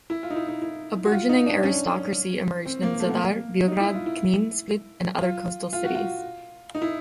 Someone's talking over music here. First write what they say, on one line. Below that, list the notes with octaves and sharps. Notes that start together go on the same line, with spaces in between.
A burgeoning aristocracy emerged in Zadar, Biograd, Knin, Split and other coastal cities.
E4
F4
D#4
E4
D#4
E4
F#4
F4
D#4
D4
C#4
C4
A#3
A3
B3
A#3
D#4
E4
F4
E4
F4
F4
F#4
F4
D#4
E4